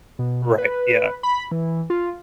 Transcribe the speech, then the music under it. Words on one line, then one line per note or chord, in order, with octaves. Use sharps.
Right, yeah.
B2
B4
B5
E3
F4